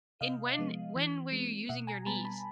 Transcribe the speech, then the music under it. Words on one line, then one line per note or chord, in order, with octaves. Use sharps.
in when when were you using your knees?
C3 D#5 F5
F3 G#3 B3
E3
G#3 C4
B2 E5 F#5
G#5 A#5
G3 B3 A5 B5
A5 B5